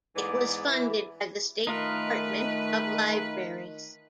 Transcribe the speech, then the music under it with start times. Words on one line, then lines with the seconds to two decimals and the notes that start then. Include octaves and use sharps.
It was funded by the State Department of Libraries.
0.16 G#2 E3 B3 G#4 D5
0.66 E3
1.67 D#3 A3 D#4 F4 A#4 B4